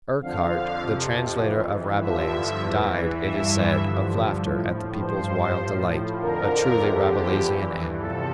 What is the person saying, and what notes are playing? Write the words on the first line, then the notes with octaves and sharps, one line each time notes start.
Urquhart, the translator of Rabelais, died, it is said, of laughter at the people's wild delight--a truly Rabelaisian end.
F2 D3 F3 F5
F2 C3 F3
F2 E3
G2 D3 F3 E5
E2 E3
G2 E3 E5
G2 D3 F3
A2 F3
G2 F3 C5
A2 F3
F2 D3 F3 A#4
E2 D3 F3 G4
G2 E3
E2 C3 F3 A4